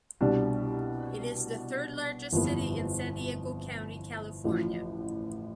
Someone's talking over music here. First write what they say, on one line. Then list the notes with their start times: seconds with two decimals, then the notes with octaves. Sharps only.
It is the third-largest city in San Diego County, California.
0.21 C2 B2 G3 D4
2.32 G1 F2 E3 B3
4.44 A1 A2 F3